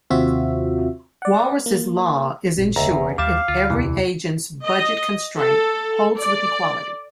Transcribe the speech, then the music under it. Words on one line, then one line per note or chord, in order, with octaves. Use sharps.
Walras's law is ensured if every agent's budget constraint holds with equality.
D#2 C3 C4 F4 F#4 E5
D5 F#5
A#3
G#1 A#2 C4
E1 C#2 D3 A#3 E5 A#5
E2
D#2 G3 E5 F5 A5 D6
D2 F4
E2 C3 E3 E4
D#5
A4
D5